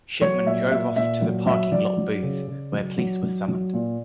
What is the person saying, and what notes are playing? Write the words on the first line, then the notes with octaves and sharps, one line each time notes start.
Shipman drove off to the parking lot booth where police were summoned.
F#3 C#5
A#2 E5
A#2 E5
A#2 E5
F#3
F#3 E5
F#3 D5
F#3
C#3
C#3
F#3
F#3
F#3
F#3
A#2